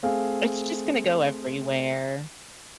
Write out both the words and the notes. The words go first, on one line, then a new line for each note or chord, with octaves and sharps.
It's just gonna go everywhere.
A3 C4 G#4 F5